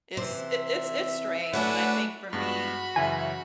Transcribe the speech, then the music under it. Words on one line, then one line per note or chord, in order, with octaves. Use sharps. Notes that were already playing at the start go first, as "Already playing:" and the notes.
It's it it's it's strange, and I think, for me,
C3 E3 C5 E5
A3 D4 E4 F#4 B4 C#5 F#5 G#5
G2 G#3 B3 F#4 B5
F#2 C#3 E3 E5 G#5